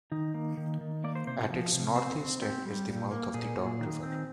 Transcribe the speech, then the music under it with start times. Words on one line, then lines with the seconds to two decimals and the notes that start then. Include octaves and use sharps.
At its northeast end is the mouth of the Don River.
0.12 D#3 D#4
0.34 A#3
0.57 D#3
0.81 D#3
1.04 A#3 D5
1.15 C5
1.27 C3 C5
1.50 F3
1.73 C3
1.96 C4 C5
2.19 C4
2.42 C4 G4
2.65 G3
2.88 A#2
3.11 A#3
3.34 A#2 G#4
3.57 A#2
3.80 D#3
4.03 C4